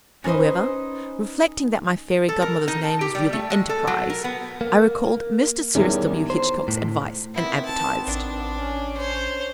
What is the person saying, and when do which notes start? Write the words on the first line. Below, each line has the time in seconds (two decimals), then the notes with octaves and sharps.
However, reflecting that my fairy godmother's name was really Enterprise, I recalled Mr. Cyrus W. Hitchcock's advice, and advertised.
0.24 C#4 D#4 B4 C5 D#5
2.29 A4
2.42 A#4
2.68 D#4
2.84 A5
3.01 G4
3.15 G3
3.33 A3
3.50 G#3
3.69 A4
3.87 F#3
4.10 A#4
4.24 B3
4.61 A#3
5.75 E2 D#3 G3 C#4
6.30 C5
6.68 A2
7.35 D#3 B3 C4 E4
7.65 A5
8.07 A1 D4
8.58 C#4
8.97 C5 C#5